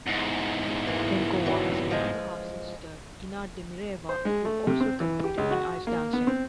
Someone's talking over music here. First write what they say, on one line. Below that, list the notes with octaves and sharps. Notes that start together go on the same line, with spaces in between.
Denkova has a younger half-sister, Ina Demireva, who also competed in ice dancing.
E2 G#2
E3 A#3 F4
E3 F#3 G3
F3 G#3
C5
G#3
A3
C3
C4
E3
G4
C#2
F#4
A#3
B3
C4